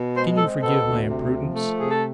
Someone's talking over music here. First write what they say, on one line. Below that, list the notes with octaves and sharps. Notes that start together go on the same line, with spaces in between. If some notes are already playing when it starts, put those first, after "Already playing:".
'Can you forgive my imprudence?'
Already playing: B2
G#3 C5
C4 A4
B2 A4
D2
C3
F3
A3
C3 G#4
A4